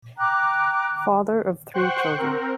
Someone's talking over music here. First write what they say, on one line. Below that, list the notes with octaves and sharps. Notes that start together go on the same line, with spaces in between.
Father of three children.
G5 A#5 D6 F#6
C5 F#5 G5 C6 C#6 F#6
C4 A#4